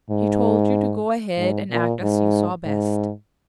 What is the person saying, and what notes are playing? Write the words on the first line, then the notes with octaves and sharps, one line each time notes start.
He told you to go ahead and act as you saw best.
G#2
G#2
A#2
G#2
G#2